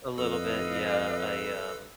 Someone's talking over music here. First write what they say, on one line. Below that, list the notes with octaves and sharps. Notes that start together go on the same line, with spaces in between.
A little bit, yeah. I, um,
F2 A4 B4 D#5 F5 E6